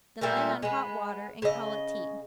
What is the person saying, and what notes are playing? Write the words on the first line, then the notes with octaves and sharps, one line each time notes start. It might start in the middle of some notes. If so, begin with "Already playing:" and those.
Then lay on hot water, and call it tea.
A#2 G3 A3 A#4
G#3 B3
C#3 D#5